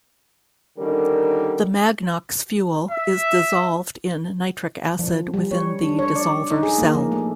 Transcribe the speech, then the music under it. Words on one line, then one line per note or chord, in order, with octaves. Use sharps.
The Magnox fuel is dissolved in Nitric acid within the Dissolver Cell.
D3 D#3 G3 C#4 A#4
E5
F3
G3
C#5
D4
C#5
D5
D#4
G#4
A#3
F3
A3